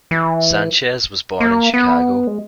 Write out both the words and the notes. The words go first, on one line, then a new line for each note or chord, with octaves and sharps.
Sanchez was born in Chicago.
E3
A#3
B3
G#3